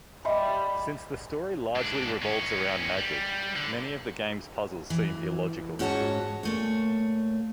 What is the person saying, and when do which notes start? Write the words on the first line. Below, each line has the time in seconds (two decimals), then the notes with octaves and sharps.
Since the story largely revolves around magic, many of the game's puzzles seem illogical.
0.25 G3 D#5 E5 B5 C6
1.76 G#2 D4
2.22 D#3 C#4
2.97 G3
3.56 D3
4.90 E3
5.79 G#2 C#4 F#4 C#5 A5
6.43 A#2 A3 C#5